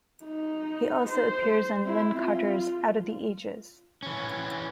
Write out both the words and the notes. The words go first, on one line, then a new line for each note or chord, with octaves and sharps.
He also appears in Lin Carter's "Out of the Ages".
D#4
C5
C4 E4
F4
E3 C#4